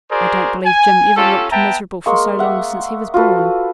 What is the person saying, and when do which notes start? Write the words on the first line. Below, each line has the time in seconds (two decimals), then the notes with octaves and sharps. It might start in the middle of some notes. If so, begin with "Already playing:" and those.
I don't believe Jim ever looked miserable for so long since he was born.
0.10 F#4 G#4 A#4 C5 D5
0.65 G#5
1.16 C#4 F4 G4 A4
1.51 B3 E5 G5 A5 A#5
2.06 G#3 A#3 C6 C#6
2.39 E5 F#5
3.14 F4 F#4 A4 B4